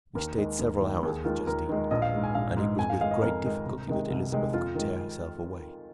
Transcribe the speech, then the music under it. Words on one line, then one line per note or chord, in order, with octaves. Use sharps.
We stayed several hours with Justine, and it was with great difficulty that Elizabeth could tear herself away.
D#2 A#4
D#3 G#3
D#2
D#3 G#3
D#2 G#4
D#3 G#3 F4
D#2 A#4
D#3 G#3
A#1 D#5
F5
G#2 G#3
G#5
A#1 F5
G#2 G#3
F2 G#5
F5
D#3 G#3 F5
D#5
F2 A#4
D#3 G#3
C2
C3 D#3 G#3
C2
C3 D#3 G#3
F2 F4
D#3 G#3